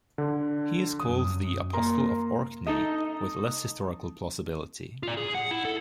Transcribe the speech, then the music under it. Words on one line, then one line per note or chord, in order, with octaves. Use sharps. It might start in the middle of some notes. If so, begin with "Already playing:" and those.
He is called the apostle of Orkney, with less historical plausibility.
D3
F#2 D#6
A#3 A#4 A#5 C6
D#4 A4 D#5
F4 D5
G#4
F#5
E4
A4